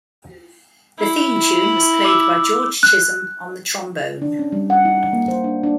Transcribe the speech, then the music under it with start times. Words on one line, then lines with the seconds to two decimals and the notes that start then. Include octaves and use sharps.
The theme tune was played by George Chisholm on the trombone.
0.98 E4
2.05 D6 E6
2.83 F#6
4.22 D4
4.39 C#4
4.52 G3
4.70 F#5
4.85 D#4
4.97 D#4
5.13 A#3
5.28 C5
5.44 D4
5.63 D4